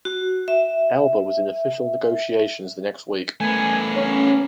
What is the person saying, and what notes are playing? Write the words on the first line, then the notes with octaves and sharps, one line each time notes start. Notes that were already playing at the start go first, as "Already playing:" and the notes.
Elba was in official negotiations the next week.
F#4
E5
A3 B3 G#5
C#4